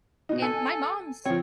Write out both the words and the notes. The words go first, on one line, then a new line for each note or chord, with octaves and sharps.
And my mom's
B2 D#4
A4 G#5
F3 C4 C#5